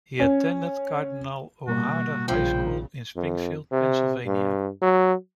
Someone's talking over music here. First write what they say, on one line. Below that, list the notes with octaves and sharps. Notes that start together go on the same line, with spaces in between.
He attended Cardinal O'Hara High School in Springfield, Pennsylvania.
C#4
B2 G3 A#3 F#4
A#1 C#3 F3 G5
F2
C3
G2
F#3